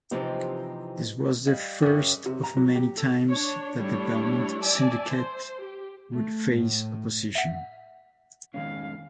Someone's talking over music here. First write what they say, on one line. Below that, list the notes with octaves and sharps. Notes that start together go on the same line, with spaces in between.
This was the first of many times that the Belmont Syndicate would face opposition.
C3 E3 F3 C4 D#4 G4
G3 D#5 F5
F#2 C#3 G5 C#6 D6
C3
A#5
F#3
G4
A4
D4 C#5
G3 A3 D4 E4 C#5
D5 E5 G#5 A5
C5
G4
A3
A2
E5 F#5
D#3 G#3 C#4 F5